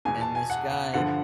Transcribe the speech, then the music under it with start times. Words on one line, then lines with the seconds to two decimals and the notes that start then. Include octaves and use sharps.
and, this guy,
0.05 E2 B2 G#5
0.21 A5
0.35 G#5
0.50 F#5
0.71 F#5
0.94 G2 D3 F3 F#5